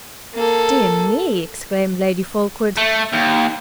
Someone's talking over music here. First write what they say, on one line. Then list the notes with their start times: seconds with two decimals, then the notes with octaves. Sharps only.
"Dear me!" exclaimed Lady Fulkeward.
0.34 A#3 A4
2.77 A3
3.13 D#2